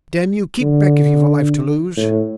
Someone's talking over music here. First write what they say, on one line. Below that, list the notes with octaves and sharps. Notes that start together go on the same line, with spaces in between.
Damn you, keep back, if you've a life to lose!'
D3
A2